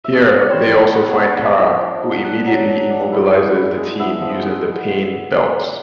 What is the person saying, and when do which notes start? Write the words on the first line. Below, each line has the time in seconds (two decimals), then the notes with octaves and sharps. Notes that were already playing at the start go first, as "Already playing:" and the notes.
Here, they also find Kara, who immediately immobilizes the team using the pain belts.
0.04 E5
0.15 D#5
0.28 D5
0.39 C#5
0.50 G3 C5
0.72 G3
0.94 B3 F#5
1.15 D4
1.37 F3 G5
1.59 F3 G5
1.81 F3
2.03 D#4
2.25 D4 F#5
2.46 F#3
2.68 D4
2.90 D4
3.12 E4
3.34 G#3
3.55 E4
3.78 G#3
4.00 B3 E5
4.21 F3
4.43 G#3